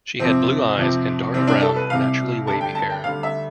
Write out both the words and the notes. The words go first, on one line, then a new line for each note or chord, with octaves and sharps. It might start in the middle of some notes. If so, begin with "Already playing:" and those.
She had blue eyes and dark brown, naturally wavy hair.
F2 C3 F3 C4
F2 C3 F3 C4
C2 C3 G3 C4
D4
A4
B4
C2 C3 G3 F5
D2 D3 G3 A5
G5
A5
G5
D2 D3 G3 F5
E5